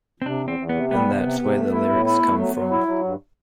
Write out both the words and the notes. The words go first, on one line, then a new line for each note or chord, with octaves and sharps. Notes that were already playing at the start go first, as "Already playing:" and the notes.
And that's where the lyrics come from.
C4
C3 D4
E2
C4
E2
B3
C3
G3 B3
C3
C3
C3
A3
E4
A2
E4
A3
F#3
F#3
E4
F#3
G2